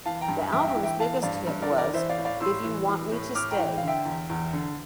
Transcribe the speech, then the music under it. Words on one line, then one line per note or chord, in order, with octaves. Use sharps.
The album's biggest hit was "If You Want Me to Stay".
E3 F5 A5
G5 A#5
G2
G2 E5 G5
E5 G5
E3
E5 G5
E3 F5 A5
G2 D5 F5
G2
A#4 D5
E3
A#4 D5
E3 C5 E5
D5 F5
A2
D5 F5
A2 C6 E6
E3
E3
A2
A2 D6 F6
G5 A#5
E3
G5
F5
D3 E5 G5
E2
E2
D3